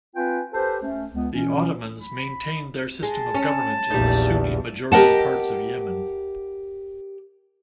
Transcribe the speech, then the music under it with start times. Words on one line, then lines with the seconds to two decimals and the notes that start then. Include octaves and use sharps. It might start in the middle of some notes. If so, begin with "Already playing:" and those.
The Ottomans maintained their system of government in the Sunni-majority parts of Yemen.
0.16 C4 F4 B4 G5 G#5
0.53 G4 A4 B4 C5
0.83 A3 C#4
1.14 C#2 B3
1.34 B2 E3 C#4
2.01 B5
3.03 G#3 A5
3.35 C#4
3.91 A#1 E2 G3 D#4
4.92 G4 A#4 D#5 F#5 A5